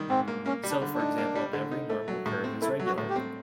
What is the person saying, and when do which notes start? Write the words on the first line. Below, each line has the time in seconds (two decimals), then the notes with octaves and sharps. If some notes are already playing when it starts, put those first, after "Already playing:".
So, for example, every normal curve is regular.
Already playing: D#3 G3
0.10 G#2 C4
0.28 A#3
0.46 A#3 C#4
0.63 G3
0.70 D4
0.82 D3
0.94 D4
0.99 D#4
1.18 A#3
1.35 G3
1.53 D3
1.72 D#4
1.90 A3
2.08 F#3
2.26 A2
2.44 C4
2.61 A3 E4
2.80 F#3
2.85 F#4
2.98 A2
3.10 G4
3.16 C4